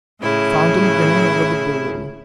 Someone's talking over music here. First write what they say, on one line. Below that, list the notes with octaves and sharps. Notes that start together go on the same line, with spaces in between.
She found him grinning over the bowl.
A2 C#3 E4